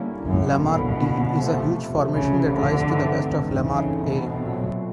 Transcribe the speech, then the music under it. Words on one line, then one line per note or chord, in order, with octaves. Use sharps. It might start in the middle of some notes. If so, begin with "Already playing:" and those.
Lamarck D is a huge formation that lies to the west of Lamarck A.
Already playing: D3 G3 A#3 C#4 E4
F#2
B2
C3 F3 A3
C#3
D3
G2 E3 A3 C4 D#4
C#3
B2
A#2 F#3 A3 C4